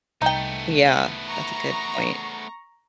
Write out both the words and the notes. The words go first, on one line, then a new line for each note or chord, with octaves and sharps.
Yeah, that's a good point.
C2 A3 B3 D#4 G5
A#5 C#6